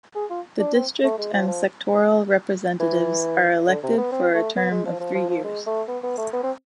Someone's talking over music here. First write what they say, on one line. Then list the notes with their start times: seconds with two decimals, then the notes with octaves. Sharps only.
The district and sectoral representatives are elected for a term of three years.
0.15 G#4
0.30 F4
0.59 D4
0.74 C4
1.04 A3
1.18 G#3
1.33 F3
1.48 F3
2.80 E3
3.68 D3
3.83 C3
3.97 B3
4.12 C4
4.34 A3
4.56 B3
4.71 G#3
4.85 F3
5.00 F3
5.14 F3
5.30 F3
5.44 G#3
5.67 A3
5.88 B3
6.03 B3
6.18 A3
6.33 B3
6.43 C4